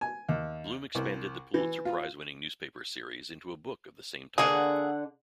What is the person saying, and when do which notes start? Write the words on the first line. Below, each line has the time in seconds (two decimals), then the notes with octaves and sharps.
Blum expanded the Pulitzer Prize-winning newspaper series into a book of the same title.
0.01 G#5
0.29 D#2
0.95 C2
1.54 E3
1.85 F4
4.38 D3 A#3 D4 G#4 F#5